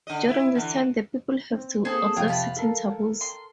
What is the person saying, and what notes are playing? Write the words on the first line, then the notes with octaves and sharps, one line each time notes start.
During this time, the people have to observe certain taboos.
D3 D#5
E4
D3 E3
C4
A#3 C4 G#4 A4 C5
F2 C3 G#4 F5 G5
F5 A5 B5
A4 A#4
C6